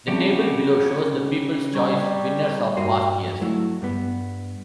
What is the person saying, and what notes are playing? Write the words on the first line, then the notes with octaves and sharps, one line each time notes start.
The table below shows the People's Choice winners of past years.
C#3 F3 G3 C4 F#4 G4
G3 A#5 C#6 G#6
G2 A#3 D#4 F#4 C6
F#3 A3 E4 F#4
G2 B3